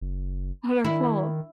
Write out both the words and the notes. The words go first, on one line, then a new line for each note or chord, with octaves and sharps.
Other flaw.
F#1
D#3 E4